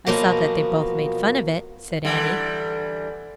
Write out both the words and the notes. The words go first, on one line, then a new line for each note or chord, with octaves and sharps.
"I saw that they both made fun of it," said Annie.
B2 F3 F#3 A#3 B3
D3 E3 G3